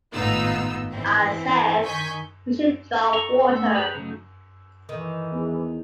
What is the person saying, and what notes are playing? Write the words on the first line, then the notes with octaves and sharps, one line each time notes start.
I said we should draw water.
G#1 A2 B3 D#4 F4 E6
E3 C4
D#3 G#5 C#6 G6 B6
A4 A#5 C#6
A3 E6
G#4 B4 C5 A#5 B5
C#3 F#3 A3 D#4
D#3 E3
E2 G#4